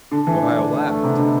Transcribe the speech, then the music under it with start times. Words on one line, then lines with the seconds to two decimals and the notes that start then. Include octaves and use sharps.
But Ohio laughed.
0.11 D3 A4
0.27 E3 A3
0.43 D3 D4
0.58 A3
0.72 A4
0.88 A3
1.03 C3 B3
1.17 B2 D3